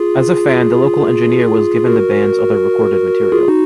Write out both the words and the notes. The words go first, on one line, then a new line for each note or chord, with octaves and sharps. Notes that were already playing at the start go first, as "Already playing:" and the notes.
As a fan the local engineer was given the band's other recorded material.
Already playing: F4 G#4
F#4 A#4
F4 G#4
D#4 F#4